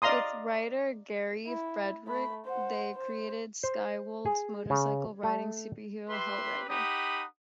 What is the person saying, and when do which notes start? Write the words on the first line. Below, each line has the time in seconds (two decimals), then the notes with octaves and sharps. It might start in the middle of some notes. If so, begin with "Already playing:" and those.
With writer Gary Friedrich, they created Skywald's motorcycle-riding superhero "Hell-Rider".
0.02 D5 D#5 F5 A#5 C6 D#6
1.47 E4
2.07 A3 B5
2.45 C5 F#5
2.96 C5
3.63 C5
4.26 G#4
4.70 C#3
5.23 A3
6.09 G4 B4 E5 C6
6.69 D#4 G4 F#5 B5 D#6